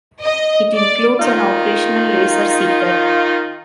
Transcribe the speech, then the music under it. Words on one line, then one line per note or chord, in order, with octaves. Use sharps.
It includes an operational laser seeker.
D#5
D5
D#3 D#4 F4